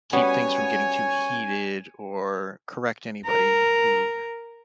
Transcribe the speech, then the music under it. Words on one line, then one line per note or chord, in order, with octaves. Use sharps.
keep things from getting too heated or correct anybody who
G3 B3 C#4 F#4 C#5 G#5
A#4